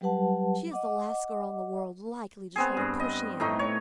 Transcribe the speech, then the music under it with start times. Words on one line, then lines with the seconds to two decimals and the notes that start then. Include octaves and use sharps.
She is the last girl in the world likely to try to push in.
0.01 F#3 G3 G4 B4 F#5 A5
0.71 D#5 F#5 D6
2.56 B3 C4 G#4
2.77 G2
3.00 D#5
3.40 A2 A3 D#4
3.59 C#5